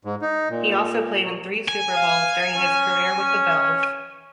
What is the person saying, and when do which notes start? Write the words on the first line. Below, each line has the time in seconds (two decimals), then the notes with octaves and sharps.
He also played in three Super Bowls during his career with the Bills.
0.05 G#2
0.21 D#4
0.50 A#2
1.23 F#3
1.68 G#5
1.96 F5
2.57 C#4
3.18 C#4